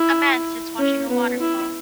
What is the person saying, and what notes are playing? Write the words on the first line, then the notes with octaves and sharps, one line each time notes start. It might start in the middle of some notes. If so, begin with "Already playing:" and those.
A man sits watching a waterfall.
Already playing: E4
C#4
B3
E4